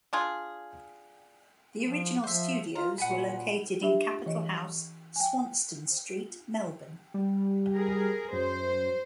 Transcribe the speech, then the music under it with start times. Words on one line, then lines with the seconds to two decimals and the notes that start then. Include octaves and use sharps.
The original studios were located in Capital House, Swanston Street, Melbourne.
0.13 D4 F4 G#4
1.83 F3
2.24 F3 C5 E5
2.75 F4 A#5
2.98 A#2 F#5 G#5 B5
3.82 D4 G4 E5
4.26 E3 D#5
5.16 G5 G#5
7.14 G3
7.74 G#4 A#4
8.33 F#2 C5